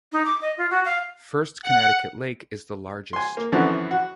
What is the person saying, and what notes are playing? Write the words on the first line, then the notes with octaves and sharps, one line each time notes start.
First Connecticut Lake is the largest.
D#4
D6
D#5
F4
F#4
F5
F#5
G#5 C6
A#3
F#2 D3 E3 F3 C4 F#4
F#4